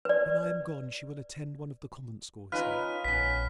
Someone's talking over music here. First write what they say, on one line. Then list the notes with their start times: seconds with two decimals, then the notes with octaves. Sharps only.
When I am gone she will attend one of the convent schools here.
0.05 B4 D5
2.52 C#4 D#4 F4 B4 F6
3.04 A#1 B3 C#4 B6